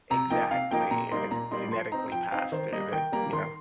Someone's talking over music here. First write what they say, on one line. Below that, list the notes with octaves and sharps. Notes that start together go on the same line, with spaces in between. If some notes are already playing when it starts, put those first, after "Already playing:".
Exactly, and it's genetically passed through the you know?
C3 A#5
F3 A#3 D#4 G5
C3 F5
F3 A#3 D#4 G5
A#2 A#5
G3 A#3 D#4 C6
A#2 A#5
G3 A#3 D#4 C6
F3 C6
C4 D#4 A#5
F3 G5
C4 D#4 F5
D#3 C5
G3 A#3 D#5
D#3 G5
G3 A#3 A#5
D#3 C6